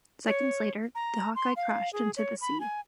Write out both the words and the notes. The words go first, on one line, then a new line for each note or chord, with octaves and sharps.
Seconds later, the Hawkeye crashed into the sea.
C#5
A#5
C6
F5
G#4
C#5
B5
G#5